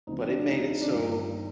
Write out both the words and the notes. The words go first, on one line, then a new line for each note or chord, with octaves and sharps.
but it made it so,
D2 D3 F3 C4 D#4
D4
D#4
D#4
D4
G1 G2 D#3 D#4